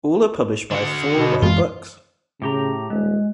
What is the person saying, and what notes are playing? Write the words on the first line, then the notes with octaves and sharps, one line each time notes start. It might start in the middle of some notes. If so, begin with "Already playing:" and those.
All are published by Four Way Books.
D3 F#4
B2
F#2 E3 G#3 F4
A2 C#3 G4 A#5
D#1 G#3